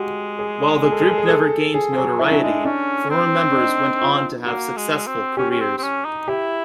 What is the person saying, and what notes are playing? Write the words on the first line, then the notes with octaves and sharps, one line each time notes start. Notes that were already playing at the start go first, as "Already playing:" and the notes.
While the group never gained notoriety, former members went on to have successful careers.
Already playing: G#3 F#4 G4
G#4
G#4
A4
G#4
A4
G#4
A4
G#4
F3
F#3 G#4
F#3 E4
D4
G#3 D#4
C#4 D4
C4
D4
D#4
F4
A#3 F#4
G#3
C4
C#4 G4
C#4
C4
C4
C#4
D#4
E4 G4